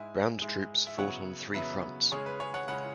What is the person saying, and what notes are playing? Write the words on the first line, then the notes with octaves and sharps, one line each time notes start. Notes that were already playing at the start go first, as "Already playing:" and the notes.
Ground troops fought on three fronts.
Already playing: G#2 G#3 E4 E5 G#5
G#2 G#3 E4
E5
C#3 F#3 B3 E4 C#5 F#5
C#3 F#3 B3 E4 B4 E5
C#3 G#3 C#4 G#4 C#5
B4
G#4 C#5
C#5 F#5
C#3 G#3 C#4 F#5 B5